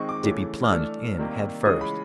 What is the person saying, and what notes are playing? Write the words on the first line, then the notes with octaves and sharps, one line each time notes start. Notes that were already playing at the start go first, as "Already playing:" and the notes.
Dippy plunged in head first.
Already playing: D#3 G#3 C4 D#4 C#6
D6
C#3 E3 A3
F6
E3 A3 D4 E6
C3 D#3 G3 A#3
C#3 E3 G#3 D#6
B5